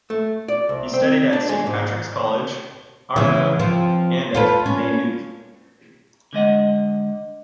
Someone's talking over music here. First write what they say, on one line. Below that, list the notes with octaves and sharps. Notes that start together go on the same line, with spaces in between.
He studied at Saint Patrick's College, Armagh and at Maynooth.
A3
D5
C2
C4
D4
G#3
G#2
C#3 E3
F3 C4
F4 A4 B4
C#4
D3 G#3 D#5 F#5